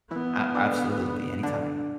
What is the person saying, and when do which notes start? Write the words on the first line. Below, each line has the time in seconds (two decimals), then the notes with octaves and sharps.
A absolutely, anytime.
0.11 E3 B3 E4
0.55 D3 D4
1.43 D3 D4